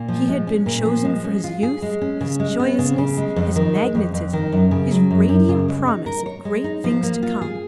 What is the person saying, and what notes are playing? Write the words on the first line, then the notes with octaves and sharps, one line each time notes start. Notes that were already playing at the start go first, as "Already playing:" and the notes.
He had been chosen for his youth, his joyousness, his magnetism, his radiant promise of great things to come.
Already playing: A#2
F3
G#3
C#4
A#2
F3
G#3
C#4
F4
G#4
G#3
C#4
C#3
G#3
B3
C#3
C#3
G#3
F2
D#3
G#3
F2
F2
D#3
F#2
C#3
F#3
F#2
F#2
C#3
G#3
D#4
A#4
C#5
G#3
D#4
F3
A#3
F4
G#4